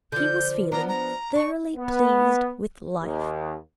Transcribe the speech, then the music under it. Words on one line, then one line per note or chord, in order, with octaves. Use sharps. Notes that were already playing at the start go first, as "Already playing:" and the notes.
He was feeling thoroughly pleased with life.
D3 F3 G6
F3 B3 D4 A#5
A#5
D4 C#6
B3
D#2